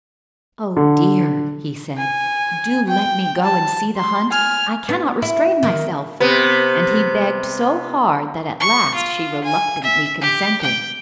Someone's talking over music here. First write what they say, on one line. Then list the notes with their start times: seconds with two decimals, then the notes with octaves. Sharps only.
"Oh dear," he said, "do let me go and see the hunt; I cannot restrain myself." And he begged so hard that at last she reluctantly consented.
0.77 D3
1.97 G#5
2.87 G5
3.43 A5
3.96 C6
4.31 G#5 F6
4.89 B3
5.22 E4
5.63 D#3
6.20 C3 B3
8.60 C#6
8.95 F4
9.44 G#5
9.84 E5
10.21 G4
10.62 G5